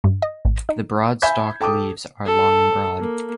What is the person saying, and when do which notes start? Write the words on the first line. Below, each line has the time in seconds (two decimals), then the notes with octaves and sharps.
The broad-stalked leaves are long and broad.
0.04 G2
0.22 D#5
0.45 A1
0.69 D#4
1.22 E5 G#5 B5 G6 G#6 B6
1.61 A4 G5 A5 D6 D#6
2.25 A4
2.99 A#3